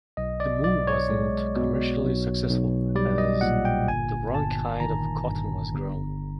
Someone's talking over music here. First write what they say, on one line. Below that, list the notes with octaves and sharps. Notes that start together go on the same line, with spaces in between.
The move was not commercially successful, as the wrong kind of cotton was grown.
B1 D#5
D5
B1 D5
C#5
G#3
B2
B1
B1
G3 D5
D#5
A#2 F#5
G5
G1 G#5
G1 A5
D#3 A#5
G2
G1